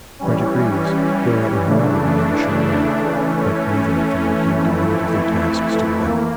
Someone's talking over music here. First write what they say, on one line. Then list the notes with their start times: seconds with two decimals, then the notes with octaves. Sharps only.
By degrees Laura and her mother began to show wear, but neither of them would yield a minute of their tasks to Clay.
0.19 E3 G3 C#4
1.66 C#3 E3 A3 D4
3.13 E3 A3 C#4
4.59 F2 E3 A3 E4
6.06 A#3